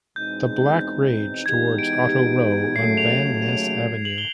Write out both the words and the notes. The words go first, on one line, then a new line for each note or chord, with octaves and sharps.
The Black rage toward "Auto Row" on Van Ness Avenue.
E2 B2 G#3 C4 D#4 G6
E3 G#3 B3 D#4 G4 G#6
D7
D#2 C#3 F#3 A3 C7
F7
F#7
G7